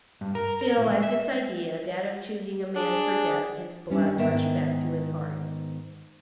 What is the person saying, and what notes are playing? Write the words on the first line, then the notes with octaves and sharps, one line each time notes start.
Still, at this idea, that of choosing a man for death, his blood rushed back to his heart.
G2
A#4
A#4
A2
G#3
E5
D4 G#4
G3 C#4 D4
G#2 D#3 B3 D#5 E5 G5